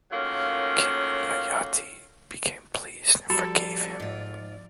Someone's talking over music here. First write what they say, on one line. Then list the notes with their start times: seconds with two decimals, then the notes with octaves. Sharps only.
King Yayati became pleased and forgave him.
0.11 D#3 F#3 A3 A#3 C#4 F4
3.30 F3 G3 F#4 A4 D5 A#5 B5
4.00 G#2 F4